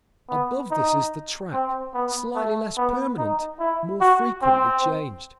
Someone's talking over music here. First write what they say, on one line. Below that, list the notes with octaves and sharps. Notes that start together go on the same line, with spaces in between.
Above this is the track, slightly less permanent, more frequently changed.
B3
D#4
C4
B3
A3
B3
D#4
E4
F#4
C4